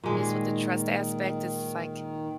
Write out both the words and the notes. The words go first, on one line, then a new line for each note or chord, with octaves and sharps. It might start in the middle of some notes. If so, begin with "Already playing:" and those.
it's with the trust aspect, it's like
A#2 D#3 G#3